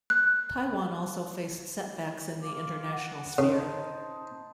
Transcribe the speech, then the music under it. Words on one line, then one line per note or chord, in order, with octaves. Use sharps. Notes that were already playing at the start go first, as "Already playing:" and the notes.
Taiwan also faced setbacks in the international sphere.
F#6
F4 D6
F#5
C#3 D#4 C5 A5